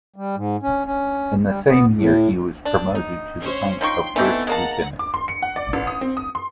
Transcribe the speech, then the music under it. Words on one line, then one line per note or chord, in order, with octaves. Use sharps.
In the same year he was promoted to the rank of first lieutenant.
G3
G#2
C#4
C#4
G3
B3
A2
D4
D#4
C#4 C5 C#5
F3 D#4 G5 C6 C#6
E3 A3 B3 C4 D4 D#4
G#3 A#3 F#5 A5 A#5
D6
C6
C#7
F#5
D5
A1
D#6
C4
D#6
C6